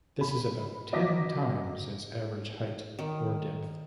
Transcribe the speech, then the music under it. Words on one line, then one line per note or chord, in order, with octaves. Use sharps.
This is about ten times its average height or depth.
B5
F#3 D#5 D6 A#6 B6
D#3